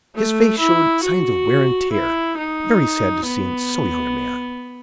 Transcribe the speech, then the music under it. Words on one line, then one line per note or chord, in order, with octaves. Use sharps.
His face showed signs of wear and tear, very sad to see in so young a man.
A3
E4
F#4
E4
D#4
B3